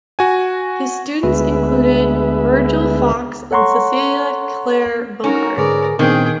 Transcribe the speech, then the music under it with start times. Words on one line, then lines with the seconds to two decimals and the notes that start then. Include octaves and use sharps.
His students included Virgil Fox and Cecilia Clare Bocard.
0.19 F#4 G#5
1.23 D2 G#3 B3 B4 E5
3.51 A4 C#5 F#5 A#5 C6 C#6
5.24 C#4 D#4 F#4 A#4
5.57 G#2 D3 G#4 A#4 B4 D5
5.99 A#2 D#3 B3 C4 D4 G#4 G5